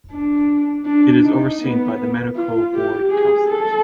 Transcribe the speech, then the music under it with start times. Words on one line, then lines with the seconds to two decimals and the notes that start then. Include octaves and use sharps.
It is overseen by the Manukau Ward councillors.
0.11 D4
0.85 D4
1.24 D#4
1.61 B3
2.36 F4
2.74 G4
3.11 G#4
3.48 A4